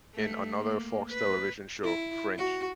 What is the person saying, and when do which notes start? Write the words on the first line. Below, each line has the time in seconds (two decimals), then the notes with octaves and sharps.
In another Fox television show "Fringe".
0.15 A3
0.55 A#3
1.09 B4
1.83 E4
2.38 F#4